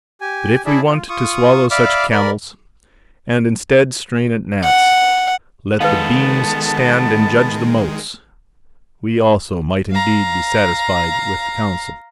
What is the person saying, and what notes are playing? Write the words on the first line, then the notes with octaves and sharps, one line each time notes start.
But if we want to swallow such camels, and, instead, strain at gnats, let the beams stand and judge the motes, we also might indeed be satisfied with the Council.
G4 G#5
D4 E4 G#4 D5 E5
F4
F4 C#6 D#6
D5 E5 F5 B5 D6 F6
A#4 D5 B5
F#5
D#3 G#3 B3 A4 B4 F5 A5
F5 A#5